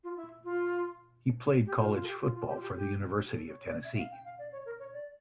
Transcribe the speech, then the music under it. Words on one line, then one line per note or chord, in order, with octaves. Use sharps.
He played college football for the University of Tennessee.
F4
E4
F4
G4
F4
F4
A4
G4
F4
F4
G4
F4
G4
G4
G4
A4
C#5
D5
E5
F5
G5
F5
D5
C#5
A#4
C#5
D5